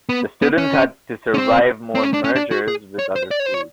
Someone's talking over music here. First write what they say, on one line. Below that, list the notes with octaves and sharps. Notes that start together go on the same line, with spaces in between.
The students had to survive more mergers with other schools.
B3
B3
C#4
C#4
C4
C4
C#4
D4
C#4
D4
F#4
G#4
C#5
C5
D5
C#5
C5
C#5